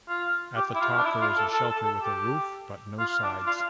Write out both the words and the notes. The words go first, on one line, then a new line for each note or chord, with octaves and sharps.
At the top there is a shelter with a roof but no sides.
F4
G4
E4
F4
D4
E4
F4
A4
A4
A4
A4
G4
F4
D4
F4